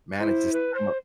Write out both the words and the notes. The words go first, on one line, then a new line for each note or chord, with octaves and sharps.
manage this time up."
E4 C5
B4
C5